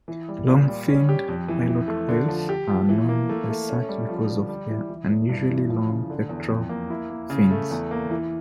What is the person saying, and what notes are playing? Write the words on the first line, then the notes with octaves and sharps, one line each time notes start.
Long-finned pilot whales are known as such because of their unusually long pectoral fins.
E3
G3
A#2
G3
C#4
G4
F2
E3
E3
A3
D3
F3
G4
F3
E3
A#3
A3
A3
C#4
G3
F3
D3
G3
E3
E3
E2
G2
E3
F3
C#3
D3
E2
F2
A#3
E4
A#3
C#3
A3
E2
A#3
E3